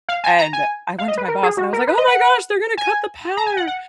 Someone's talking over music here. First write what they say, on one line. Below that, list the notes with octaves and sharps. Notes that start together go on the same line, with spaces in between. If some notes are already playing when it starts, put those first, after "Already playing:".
and I went to my boss and I was like, "Oh my gosh, they're going to cut the power!"
F5
G#5
A#5
G#5
F5
D#5
B4
A#4
G#4
F#4
A#4
B4
D#5
F#5
G#5
A#5
G#5
F#5
F#5